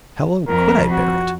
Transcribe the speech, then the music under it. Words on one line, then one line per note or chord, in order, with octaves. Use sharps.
How long could I bear it?
F2 A#4
F#4